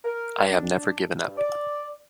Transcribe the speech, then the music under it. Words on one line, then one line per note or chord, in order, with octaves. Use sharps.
I have never given up.
A#4
D4
G2
D5